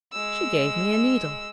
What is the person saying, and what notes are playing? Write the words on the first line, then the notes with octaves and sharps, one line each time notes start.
'She gave me a needle.'
G#3 E6